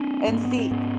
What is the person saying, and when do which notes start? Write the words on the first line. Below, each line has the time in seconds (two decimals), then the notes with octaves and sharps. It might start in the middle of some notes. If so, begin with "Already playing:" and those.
And see,
Already playing: C4 D4
0.28 G#2 A#3
0.45 B3
0.58 C4
0.71 G#2 B3 C#4